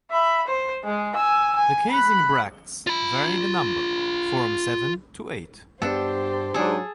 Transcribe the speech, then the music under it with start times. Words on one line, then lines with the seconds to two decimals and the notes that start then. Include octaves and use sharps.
The casing bracts vary the number, form seven to eight.
0.11 E5 B5
0.47 C5
0.84 G#3 G#4
1.15 G#5 E6
1.56 G#5
1.91 B5 F#6
2.87 F4 B5
5.82 G2 B3 D4 G4 A4 C5
6.54 G#2 F#3 D4 G#4 A4